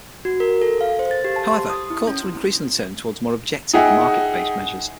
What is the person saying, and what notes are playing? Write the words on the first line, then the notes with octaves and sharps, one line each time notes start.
However, courts are increasingly turning toward more objective, market-based measures.
F#4
A#4
A4
F5
C5
A6
G4
A5
C6
D#6
E4
C#4
D#4 G#4 E5 F#5 G5